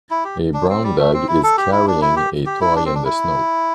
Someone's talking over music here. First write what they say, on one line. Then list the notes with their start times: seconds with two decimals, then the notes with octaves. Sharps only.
A brown dog is carrying a toy in the snow.
0.11 E4
0.25 G4
0.54 D4
0.70 C4
0.84 G3
0.98 A3
1.14 C4
1.28 E4
1.43 A4
1.57 G4
1.72 E4
1.87 D4
2.02 E4
2.16 G4
2.46 G4
2.61 E4
2.75 D4
2.85 C4
2.95 D4
3.05 E4